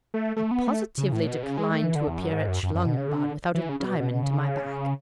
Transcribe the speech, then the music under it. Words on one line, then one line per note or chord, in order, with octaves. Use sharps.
I positively decline to appear at Schlangenbad without a diamond to my back.
A3
A3
B3
A3
C#3
A2
B2
C#3
G#3
A3
E3
D3
E2
F#2
G#2
F#2
F#2
F#2
B2
C#3
D3
E3
C#3
C#3
B2
B2
C#3